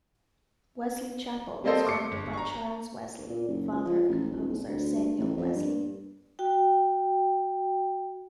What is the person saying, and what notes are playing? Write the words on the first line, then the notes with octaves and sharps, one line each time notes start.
Wesley Chapel was founded by Charles Wesley, father of composer Samuel Wesley.
G3 A#3 C4 A4 C5 D#5
C6 D6 C#7
G1
A#5 C#6
A#2
F#1
C#2
F3
A1
D#1
C2
D2
G2
A1
F2
G2
F#4 G5